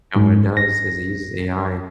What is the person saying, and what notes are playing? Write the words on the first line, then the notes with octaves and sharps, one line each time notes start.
and what it does is it uses AI
G#2
A#6